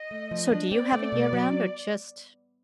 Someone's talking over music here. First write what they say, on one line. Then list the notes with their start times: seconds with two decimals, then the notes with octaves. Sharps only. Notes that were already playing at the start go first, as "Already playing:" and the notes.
so do you have it year round, or just
Already playing: D#5
0.11 A3
0.31 F3
0.52 D4
0.71 C4 D5
0.92 A3
1.12 B2
1.33 F#3